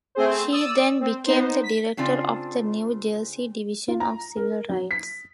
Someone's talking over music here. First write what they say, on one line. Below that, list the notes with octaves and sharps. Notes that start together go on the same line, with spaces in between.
She then became the director of the New Jersey Division of Civil Rights.
A3 C4 G#4 C5
D5 D#6 E6
C4
B3 D#4 C5
B6
C#3 C4 D4 F4 D5
F4
A#5
A#4
F#3
B6